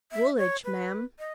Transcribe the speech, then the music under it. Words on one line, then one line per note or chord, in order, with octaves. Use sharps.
"Woolidge, ma'am."
E5
C#5
B4
D#5